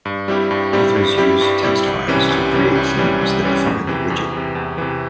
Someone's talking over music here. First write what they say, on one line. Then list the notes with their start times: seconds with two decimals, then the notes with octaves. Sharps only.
Authors use text files to create themes that define their widget.
0.05 G2
0.28 G3 C4 E4 G4
0.51 G2
0.73 G3 C4 E4 G4
0.96 G2
1.18 G3 C4 E4 G4
1.41 G2
1.63 G3 C4 E4 G4
1.86 C2
2.08 C3 E3 G3 C#4
2.30 C2
2.53 C3 E3 G3 C#4
2.75 C2
2.98 C3 E3 G3 C#4
3.21 C2
3.43 C3 E3 G3 C#4
3.66 E2
3.87 C3 E3
4.10 E2
4.33 C3 E3
4.55 E2
4.78 C3 E3